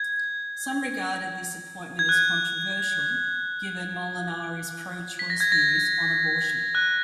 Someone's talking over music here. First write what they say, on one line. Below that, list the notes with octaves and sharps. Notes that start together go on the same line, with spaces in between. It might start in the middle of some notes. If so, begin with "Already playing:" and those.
Some regarded this appointment as controversial, given Molinari's pro-choice views on abortion.
Already playing: G#6
G#6
F#6
B6
A#6
G#6
A#6
F#6